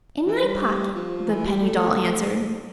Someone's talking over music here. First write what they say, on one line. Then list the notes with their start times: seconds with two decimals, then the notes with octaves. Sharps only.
"In my pocket," the penny doll answered.
0.27 E3
0.44 G3
0.95 F3
1.28 E3
1.45 G3
1.63 A3